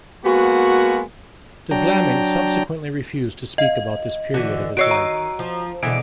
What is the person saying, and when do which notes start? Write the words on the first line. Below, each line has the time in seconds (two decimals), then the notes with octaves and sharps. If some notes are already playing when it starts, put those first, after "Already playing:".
De Vlaeminck subsequently refused to speak about this period of his life.
0.25 G#3 A#3 B3 F#4
1.71 F#3 D4 G5 A#5
3.58 D#5 F5
4.34 D3 E3 F#4
4.77 D#3 F#4 C#5 D#5 E6 C7 D7
4.91 A#5
5.39 F3
5.83 B2 D3 E3 G#3 D7